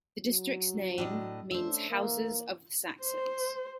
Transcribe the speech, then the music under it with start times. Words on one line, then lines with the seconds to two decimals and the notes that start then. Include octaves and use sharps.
The district's name means 'Houses of the Saxons'.
0.19 F#3
0.98 A2 D4 D#5
1.51 A3 C#4 D4 C5 E5
1.89 E3 A#3
3.02 C5